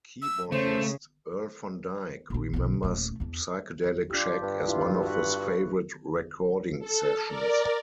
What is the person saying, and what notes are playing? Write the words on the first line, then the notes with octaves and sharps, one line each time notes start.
Keyboardist Earl Van Dyke remembers "Psychedelic Shack" as one of his favorite recording sessions.
E6
C#3 A3 C5
A#1 C4
B1 D3
D#1 A3
E2 D4
D4 F4 G4
G2
E4 F4
F#4 B4
A4
A#4 D5